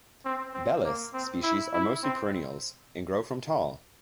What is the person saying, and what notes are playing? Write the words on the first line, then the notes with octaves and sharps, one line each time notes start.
"Bellis" species are mostly perennials, and grow from tall.
C4
C4
A#3
C4
E4
E4
C4